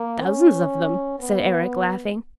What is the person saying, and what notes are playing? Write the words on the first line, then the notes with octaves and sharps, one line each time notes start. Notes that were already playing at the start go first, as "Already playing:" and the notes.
"Thousands of them," said Eric, laughing.
Already playing: A#3
C#4
B3